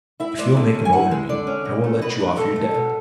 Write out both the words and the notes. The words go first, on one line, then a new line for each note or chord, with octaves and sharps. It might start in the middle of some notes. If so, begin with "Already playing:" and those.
If you will make him over to me, I will let you off your debt.'
E4 E5
G#3 D5
D3 E5
C#4
G#5
E4 F#5
G#3
D3 D5
C#4
B2
A3
B2 B4
D4
B2 A4
A3
B2